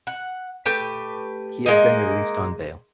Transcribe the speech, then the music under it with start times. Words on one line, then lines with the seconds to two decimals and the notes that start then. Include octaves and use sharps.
He has been released on bail.
0.07 F#5
0.66 A3 G4 B4
1.66 G#3 A#3 D#4